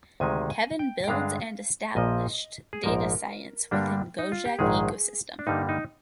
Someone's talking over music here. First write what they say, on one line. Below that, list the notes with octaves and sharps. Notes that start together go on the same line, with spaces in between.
Kevin builds and established data science within Gojek ecosystem.
D2 C3 D#3 G#3 G#5
G#5
G5
G5
G2 D3 G#3 D4 F5
A#1 A#2 F3 D#5
G#4
A#1 G#2 F3 A#3 A#4
G2 D3 G3 A#3 D4
D#4
F4
G4
A#1 G#2 D#3 G#3 G#4
D4
G2 D3 G3 A#3 D#4
D#4